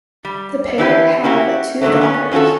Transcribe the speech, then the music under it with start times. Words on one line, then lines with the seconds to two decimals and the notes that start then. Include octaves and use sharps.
The pair have two daughters.
0.25 G3
0.78 E3 E4 G4 B4
1.24 C#4 E4 F#4 G4
1.81 D3 D#3 F#3 A3
2.01 B3 C#4 C#5
2.31 D#3 C#4 F4 F#4 A4